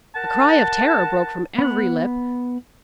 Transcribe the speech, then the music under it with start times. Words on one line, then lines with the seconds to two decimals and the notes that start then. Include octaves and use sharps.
A cry of terror broke from every lip.
0.15 A#4 F#5 A5
1.58 B3 F#6